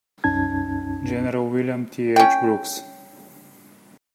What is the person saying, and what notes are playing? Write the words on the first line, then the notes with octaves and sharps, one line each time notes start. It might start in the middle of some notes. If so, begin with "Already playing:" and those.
General William T. H. Brooks.
C2 F#2 C#4 D#4 A5 G#6
C#4 G5